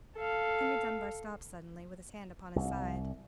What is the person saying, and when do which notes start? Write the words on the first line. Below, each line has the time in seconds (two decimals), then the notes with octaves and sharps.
Henry Dunbar stopped suddenly, with his hand upon his side.
0.16 A4 F5
2.56 C2